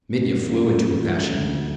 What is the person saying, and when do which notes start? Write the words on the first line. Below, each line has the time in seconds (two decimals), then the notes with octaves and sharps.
Mitya flew into a passion.
0.20 A1
0.48 G#2 F#3 A3 C#4
0.77 A1
1.06 G#2 F#3 A3 C#4
1.34 D2